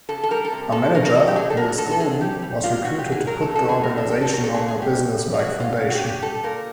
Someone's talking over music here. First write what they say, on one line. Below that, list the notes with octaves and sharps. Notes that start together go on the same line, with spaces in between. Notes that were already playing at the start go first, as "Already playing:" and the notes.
A manager, Lewis Golden, was recruited to put the organisation on a businesslike foundation.
C#3 A4
A4
G3 A#4
A4
C3
C3 A4
D#3 A#4
A#4
C#3 A4
G4
C#3 G#4
A4
F#3 A#4
F#3 A4
A4
C3 G#4
G3 G4
G3
C3 F4
F#3 F#4
G4
F#3
G#4
F#3 A#4
A4
A#2
A4
F#3 G#4
A#4
A2
A4
A2 A4
A4
A2 A#4
A4
B2 G#4
G#4
B2
G4
B2
G3
F4
F#3 F#4
F#3 F4
C#3
F#4
G4
C#3
G4
G3 A4
A#2 A#4